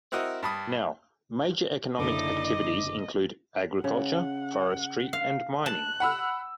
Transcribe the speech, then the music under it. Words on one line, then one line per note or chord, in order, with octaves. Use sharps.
Now, major economic activities include agriculture, forestry, and mining.
C4 E4 F#4 A#4 D#5
G2 A5 B5 D#6
F#1 D3 D#4 E4 A4 D5 D#5 D6
C#3 F#5
F5
A5 F#6
F#5 B5 E6